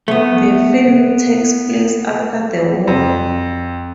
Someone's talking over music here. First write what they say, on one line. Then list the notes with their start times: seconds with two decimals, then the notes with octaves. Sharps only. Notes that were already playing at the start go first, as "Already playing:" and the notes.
The film takes place after the war.
0.08 A3 B3
2.87 F2